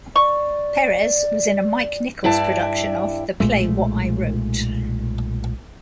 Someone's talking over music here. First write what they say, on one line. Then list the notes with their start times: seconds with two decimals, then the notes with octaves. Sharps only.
Perez was in a Mike Nichols production of "The Play What I Wrote".
0.16 D5 C#6
2.24 G2 E4 D5 A5
3.40 B1 A#2 G#3 A3